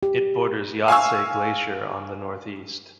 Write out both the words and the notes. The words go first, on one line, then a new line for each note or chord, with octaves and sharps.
It borders Yahtse Glacier on the northeast.
G4
F5 G#5 C#6 E6